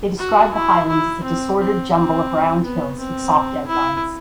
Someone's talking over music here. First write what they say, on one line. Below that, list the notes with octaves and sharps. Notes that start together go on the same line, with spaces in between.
They described the highlands as "a disordered jumble of round hills with soft outlines".
F#4
E4
E4
C4
C4
C4
B3
C4
E4